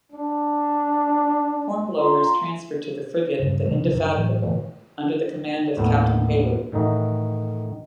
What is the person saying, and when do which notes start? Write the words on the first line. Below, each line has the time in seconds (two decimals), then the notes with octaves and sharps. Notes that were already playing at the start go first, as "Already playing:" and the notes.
Hornblower is transferred to the frigate the "Indefatigable", under the command of Captain Pellew.
0.12 D4
1.98 F4 A#5 C6
3.40 G2 C#3
3.65 C3 E3 G3 A3
3.79 B1 C#3 F3
3.92 F#1 D#3 F#3 D4
4.15 A2 E3 F#3
4.43 A2 D3 E3 A3
5.77 D#2 A2 B3
6.72 A2 D#3 E3 D#4 F#4